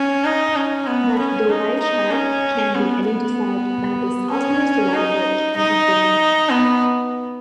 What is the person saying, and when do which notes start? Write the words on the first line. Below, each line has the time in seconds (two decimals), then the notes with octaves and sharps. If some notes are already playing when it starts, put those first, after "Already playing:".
But the white shark can be identified by its obvious white edge of the fin.
Already playing: C#4
0.24 D#4
0.56 C#4
0.87 B3
1.19 C#4
1.49 D#4
1.80 D#4
2.12 C#4
2.75 B3
3.06 B3
4.31 C#4
4.94 D#4
5.57 D#4
6.49 B3